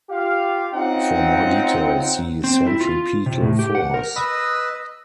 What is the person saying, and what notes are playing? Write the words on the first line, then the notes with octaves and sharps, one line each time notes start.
For more detail, see centripetal force.
F4 G4 F5
C4 C#4 D#4 F4 F#5 G5
C4
E4
F4
C3
A2
G4
F#5
A#4
B4 D#5 B5 E6